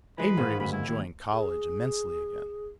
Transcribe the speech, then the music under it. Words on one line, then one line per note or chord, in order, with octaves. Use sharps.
Amory was enjoying college immensely again.
E3 G#3 B4
G#2 D#3 F5
D2 B5
E4
D#2
G#4